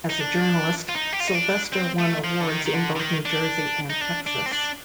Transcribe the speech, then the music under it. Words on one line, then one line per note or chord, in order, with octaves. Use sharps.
As a journalist, Sylvester won awards in both New Jersey and Texas.
D#4
D4
F4
D#4
G4
F4
D#4
D4
C4
A3
F3
D3
D#3
D#3
D3
D3
D#3
D4
D#4
D4
D4
C4
D4